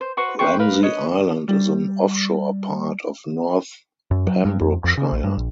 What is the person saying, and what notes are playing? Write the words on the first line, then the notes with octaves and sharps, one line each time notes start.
Ramsey Island is an offshore part of north Pembrokeshire.
C5
F#4 B4 C5 C#6
B4 C5 G5 C#6
A#4 B4 F5
B4 C#5 D#5
G3
F#2
F#3
G2
F2
F2
C#3
A#1
G2
A#1